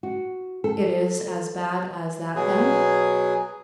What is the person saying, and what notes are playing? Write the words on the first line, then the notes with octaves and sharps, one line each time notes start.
"It is as bad as that, then?"
F#4
A4
B2 F#3 G#4